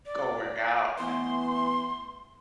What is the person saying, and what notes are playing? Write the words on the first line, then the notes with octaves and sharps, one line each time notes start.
go work out, that
D5
E3 A3 B3 C6